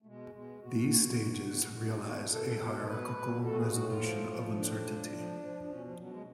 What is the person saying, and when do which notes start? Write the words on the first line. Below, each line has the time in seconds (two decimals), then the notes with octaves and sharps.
These stages realize a "hierarchical resolution of uncertainty".
0.02 A3
0.05 B2 G#3
0.34 B2 G#3
0.62 B2 F#4
0.91 B2
1.18 B2
1.47 B2
1.75 B2
2.03 B2
2.31 B2 A4
2.60 B2
2.87 B2 B4
3.17 B2
3.44 A2 A4
3.53 F#4
3.58 G#4
3.68 F4
3.72 A2 F#4
3.86 F4
4.01 F3
4.28 F3
4.56 A2 D4
4.85 F3
5.13 F3
5.41 F3
5.65 D4
5.69 B2 C#4
5.84 F3
5.97 B2 F#3
6.12 G#3